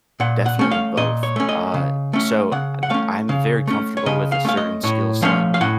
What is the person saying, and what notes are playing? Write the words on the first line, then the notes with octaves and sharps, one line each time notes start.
Definitely both. Uh, so, I th I'm very comfortable with a certain skill set.
A#2 F#5
F#5
A3 C#4
F5
A#2 D#5
C#5
A3 C#4
D#5
C#3
A3 C#4
C#3 F#5
F#5
A3 C#4 F5
C#3 F5
A3 C#4
C#5
C#3 D#5
F5
A3 C#4 F5
D#5
A2 C#5
F3 A3 C#4 F5
F5
A2 F#5